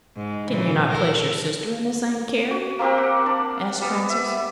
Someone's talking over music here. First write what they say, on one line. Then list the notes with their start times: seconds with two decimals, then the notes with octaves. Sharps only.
"Can you not place your sister in the same care?" asked Francis.
0.17 G#2
0.48 A#2 C#3 E3
0.91 A4 A#4
2.51 F#4
2.79 A#3 C4 G4 A#4
2.98 F#5
3.26 D4
3.82 G3 B3
4.09 E5